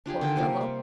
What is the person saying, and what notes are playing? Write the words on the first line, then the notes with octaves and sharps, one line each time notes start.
Poor fellow!
D4 F4 G4 G#4
D3 D#3 G5
C3 A#3 F4
G3